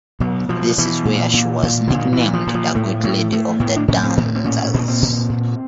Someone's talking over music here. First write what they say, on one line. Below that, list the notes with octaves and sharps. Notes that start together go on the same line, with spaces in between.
This is where she was nicknamed "The Great Lady of the Danzas".
B2 F#3
B2 F3
B2 E3
A#2
A#2
A#2
A#2 D3
D#3
E3
A#2
F3
A#2
F3
A2 A3
A2 A3
A2 A3
A2 B3
D4
A2 C#4
C4
A2
C4
A#2 C#4
A#2
C4
A#2
A#2